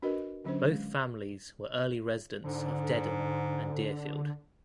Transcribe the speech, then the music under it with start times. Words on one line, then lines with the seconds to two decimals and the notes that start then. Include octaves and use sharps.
Both families were early residents of Dedham and Deerfield.
0.02 D4 F#4 A#4 B4 D#5
0.45 D3 F#3 C#4 D4 C5
0.70 G#3
2.44 G#2 D3